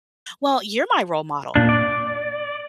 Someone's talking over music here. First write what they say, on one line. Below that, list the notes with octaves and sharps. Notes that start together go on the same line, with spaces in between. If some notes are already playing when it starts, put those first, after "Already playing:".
"Well, you're my role model"
A#2 D4
D5